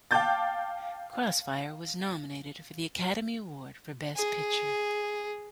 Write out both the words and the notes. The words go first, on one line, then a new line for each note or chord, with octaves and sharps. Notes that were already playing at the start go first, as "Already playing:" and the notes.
"Crossfire" was nominated for the Academy Award for Best Picture.
F5 G5 A5 D6 G6 A6
G#4